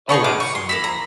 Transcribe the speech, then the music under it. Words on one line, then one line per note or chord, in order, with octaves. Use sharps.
Oh, absolutely.
B3 D#4 G#4 C#6
D6
C#6
C6
A#3 C#4 E4 B5
A#5